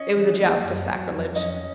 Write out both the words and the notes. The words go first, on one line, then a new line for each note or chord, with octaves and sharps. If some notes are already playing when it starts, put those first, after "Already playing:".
It was a joust of sacrilege.
Already playing: C#4 D#5
E3
A#3
F#2
F#3
F2
C#4 D#5